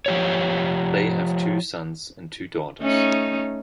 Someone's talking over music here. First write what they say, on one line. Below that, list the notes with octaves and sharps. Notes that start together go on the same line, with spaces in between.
They have two sons and two daughters.
F3 G4 C#5
A3 C#4 D#4